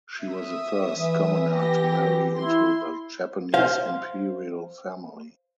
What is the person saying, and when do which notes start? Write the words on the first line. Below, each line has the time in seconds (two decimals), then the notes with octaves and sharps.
She was the first commoner to marry into the Japanese Imperial Family.
0.22 E5 D#6
0.92 E3
1.53 B3 G4 A#6
2.36 E4 C6
3.54 C5 F5